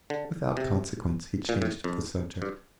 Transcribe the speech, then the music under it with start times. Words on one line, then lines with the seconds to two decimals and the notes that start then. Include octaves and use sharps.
Without consequence he changed the subject.
0.10 D3
0.57 C3
1.49 A#2
1.62 A2
1.84 F2
2.42 G2